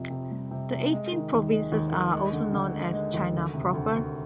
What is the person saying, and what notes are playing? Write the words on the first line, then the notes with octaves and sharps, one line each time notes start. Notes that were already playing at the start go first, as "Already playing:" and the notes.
The eighteen provinces are also known as "China proper".
Already playing: F2 C3
C3
G3
C3
C3
G#3
D#3
D#2
G#3
D#2
D#2
G#3
D3
D3
G#3
G#3
D#2
D2
C3
D2
D2